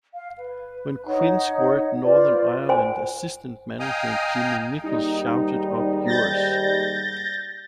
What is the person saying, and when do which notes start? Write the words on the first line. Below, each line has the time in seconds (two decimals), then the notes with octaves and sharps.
When Quinn scored Northern Ireland assistant manager Jimmy Nicholl shouted Up yours!
0.13 F5
0.37 B4
1.07 D#4 C#5 D#5 F#5
2.04 F4 B4 C5 D5
2.69 C5 G#5
3.80 D#5 F5 G5 G#5 A#5 D#6
4.84 D#2 G#2 G3 D#4
6.06 G6 A6 A#6